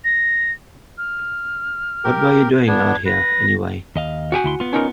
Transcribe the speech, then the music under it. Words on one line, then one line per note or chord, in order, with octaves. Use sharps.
What were you doing out here, anyway?
A#6
F6
G4 A#4
B3 D4 G#6
B4 A#6
D#2 D#5 F5
F#4 G5 G#5
D2 E4 C6
B3 F4
C#4 D#4 A#4